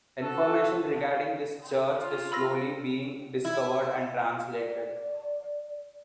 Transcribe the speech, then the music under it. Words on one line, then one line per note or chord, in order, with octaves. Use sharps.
Information regarding this church is slowly being 'discovered' and translated.
F#4 A4
F4
B5 E6 A#6
E4
D5